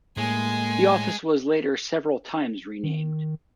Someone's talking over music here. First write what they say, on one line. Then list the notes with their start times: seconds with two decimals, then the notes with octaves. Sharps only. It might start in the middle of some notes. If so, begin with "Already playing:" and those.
The office was later several times renamed.
0.17 A2 G#3 A#3 G#5
2.83 D#3